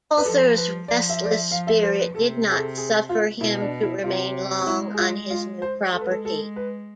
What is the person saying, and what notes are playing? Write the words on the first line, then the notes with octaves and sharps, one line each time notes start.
Walther's restless spirit did not suffer him to remain long on his new property.
B4
F3 A4
B4
F3 D5
E5
D5
E5
F3 F5
E5
C5
B4
C3 A4
G#4
A4
G#4
F4
B2 E4
D4
E4
C3 F4
G#3 E4
G#4
F4
F4
C5
G#3 A4
B4
A4
A4
B4